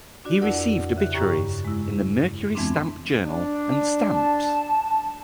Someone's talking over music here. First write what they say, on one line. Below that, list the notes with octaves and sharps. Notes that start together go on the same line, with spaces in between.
He received obituaries in the "Mercury Stamp Journal" and "Stamps".
D4 F#4 D5
F2 E4 A#4 D5 F#5
C#3 E5 F#6
G2 G4 G5 A#5 C#6
G#3 E4
F2 E3 G#3 B3 C4 D4
D4
A5